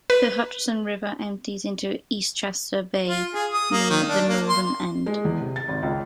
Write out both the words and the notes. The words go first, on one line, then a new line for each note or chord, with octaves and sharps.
The Hutchinson River empties into Eastchester Bay near the northern end.
B4
F4
G#4
D#6
A#3
D#3
D4
A#3
C6
G#3
E2
C3
A6
G#1
C#2